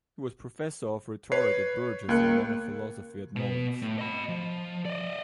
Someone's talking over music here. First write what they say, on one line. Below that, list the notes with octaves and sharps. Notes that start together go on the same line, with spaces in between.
He was professor of rhetoric at Bourges, and of philosophy at Moulins.
B4 C#5 C7
C#2 A#3 F#6 C#7
B2 B3
A2
D#5 B5
F3
D5 D#5